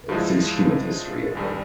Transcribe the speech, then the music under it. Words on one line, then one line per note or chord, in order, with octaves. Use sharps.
eh, since human history, I think.
G2 F3 G#3 E4
G#1 G2 G3